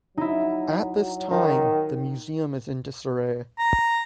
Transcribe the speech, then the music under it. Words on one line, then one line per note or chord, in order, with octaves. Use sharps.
At this time the museum is in disarray.
F#3 D#4 E4
D#3 D#4
A#5